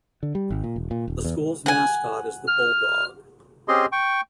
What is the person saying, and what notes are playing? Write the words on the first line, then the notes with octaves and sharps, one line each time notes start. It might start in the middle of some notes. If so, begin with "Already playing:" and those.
The school's mascot is the bulldog.
D3
G3
G#1
A#2
E1
A#2
D#1
E2
F#5 G#5
F6
C4 C#4 G4 G#4 D#5 C6
G5 C#6